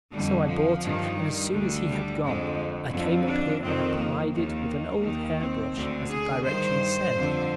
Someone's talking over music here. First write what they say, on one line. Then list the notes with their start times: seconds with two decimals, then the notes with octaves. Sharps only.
So I bought it, and as soon as he had gone I came up here and applied it with an old hairbrush as the directions said.
0.12 F2 D3 G3
0.47 F3
0.82 G2 D#3
1.18 G3
1.52 D2 D3
1.87 G3
2.22 F2 D3 G#3
2.92 F2 D3
3.28 D4
3.62 F2 D#3 C4
3.97 A#3
4.32 D#2 D#3 A#3
5.03 D#2 D#3
5.38 C4
5.74 D2 D3
6.09 G#4
6.43 G2 D#3 C5
7.13 F2 D3